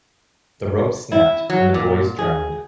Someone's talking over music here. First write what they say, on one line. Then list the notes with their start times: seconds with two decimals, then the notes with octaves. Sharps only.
The rope snapped, and the boys drowned.
1.12 E4
1.50 F#3
1.74 A#2
2.19 G#4